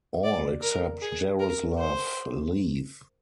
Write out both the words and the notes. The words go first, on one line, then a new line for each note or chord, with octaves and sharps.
All except Jaroslav leave.
D5
A#4
G#4
A#4
C5